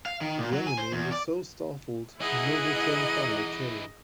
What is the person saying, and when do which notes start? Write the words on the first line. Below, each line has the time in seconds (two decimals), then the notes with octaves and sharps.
The enemy was so startled no return fire came.
0.06 F5
0.21 D#3
0.38 A#2
0.53 F#3
0.67 G#5
0.78 C5
0.92 E2
1.12 D5
2.21 E3 D#4 E4 G#4 D#5 F#5